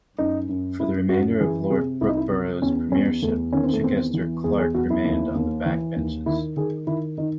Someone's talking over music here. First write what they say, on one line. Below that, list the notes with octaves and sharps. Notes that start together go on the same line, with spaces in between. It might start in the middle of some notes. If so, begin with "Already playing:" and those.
For the remainder of Lord Brookeborough's Premiership, Chichester-Clark remained on the back benches.
F#2 D#4
F#2
F#2 E4
F#2 F#4
E3 G#4
C3 G#4
C2 E4
D#4
E4
C3
E2 C#4
E2 C#4
E2 A3
D#3 C#4
C4
A3
E2 C4
E3
E2 G#4
G#4
E2 F#4
E4
D#2
D#2
E3
D#2
D#3 E4
D#3 G#4
D#3 E4
D#3 D#4